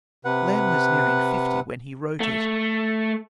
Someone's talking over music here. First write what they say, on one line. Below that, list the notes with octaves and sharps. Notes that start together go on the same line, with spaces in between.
Lamb was nearing fifty when he wrote it.
C3 B4 F#5
A3